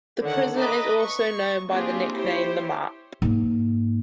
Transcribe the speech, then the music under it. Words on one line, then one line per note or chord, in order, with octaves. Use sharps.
The prison is also known by the nickname 'The Map'.
D3 D#3 C#5 F#5
B4 D#5 E5 A5 A#5 D6
C#6
A#3 C4 D4 F4 G4 G#4
E4 G4 C5 C#5
G#2 A#3